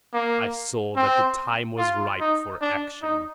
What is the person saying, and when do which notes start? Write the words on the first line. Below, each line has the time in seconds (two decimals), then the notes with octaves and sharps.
I saw that the time was ripe for action.
0.14 A#3
0.96 C4
1.78 F4
2.20 D#4
2.62 D4
3.02 D#4